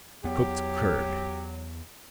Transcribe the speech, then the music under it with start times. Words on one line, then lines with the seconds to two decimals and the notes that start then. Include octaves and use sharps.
Cooked curd.
0.24 E2 F#3 B3 G4